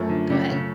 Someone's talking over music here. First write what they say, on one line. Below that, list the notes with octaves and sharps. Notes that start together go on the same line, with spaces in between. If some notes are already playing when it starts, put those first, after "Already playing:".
Go ahead.
Already playing: F#2 F3 A3
D3
C#3 C#4
C#3 C#4